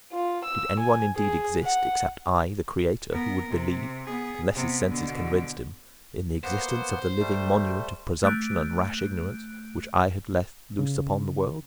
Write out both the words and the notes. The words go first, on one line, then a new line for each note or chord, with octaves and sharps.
Did any one indeed exist, except I, the creator, who would believe, unless his senses convinced him, in the existence of the living monument of presumption and rash ignorance which I had let loose upon the world?
F4
E6
G#5
G#4
F#5
B3 A#4
C3
B3 G#4
C3 B3
B2 D3
A#3 B3 C5 F#5
G3 A3
A3 F#6 G6 D7
C#3